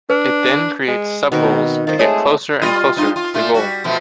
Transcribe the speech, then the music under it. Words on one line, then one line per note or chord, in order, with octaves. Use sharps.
It then created subgoals to get closer and closer to the goal.
D4 B4
G#3
B2 D#3 C4 A#4
D#3 F4 C5
G#3 A3 G#4 C#5
G3 F4 D#5
G2 D#4 F4
F4
A#2 A3 F4
G3 F#4
B2 F3 A3